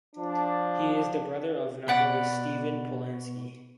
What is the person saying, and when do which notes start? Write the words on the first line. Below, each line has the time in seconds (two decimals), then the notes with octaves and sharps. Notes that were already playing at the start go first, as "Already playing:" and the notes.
He is the brother of novelist Steven Polansky.
0.16 F3 D4
1.88 B2 D5 F#5 B5